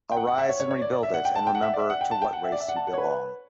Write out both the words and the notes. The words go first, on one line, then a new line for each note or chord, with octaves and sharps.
Arise and rebuild it, and remember to what race you belong.
G5
F#5
F#5
E5
C#5
C#5
C#5
D5
D5
E5
F#5
G5
A5
G5
F#5
E5
D5
E5
F#5
G5
A5
G5
F#5
E5
D5
E5
F#5
A5
F#5
C#5
B4